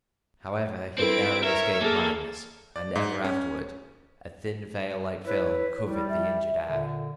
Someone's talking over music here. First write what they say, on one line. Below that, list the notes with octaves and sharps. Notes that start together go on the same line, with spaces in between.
However, he narrowly escaped blindness, and ever afterward a thin veil-like film covered the injured eye.
C4 E4 A4 B4 D7
A#4 C#5 E5
A#3 G#4 A4 F6
D5
G#2
C#4
E4 B4 C#5
G3 E4
E5
A#2 D3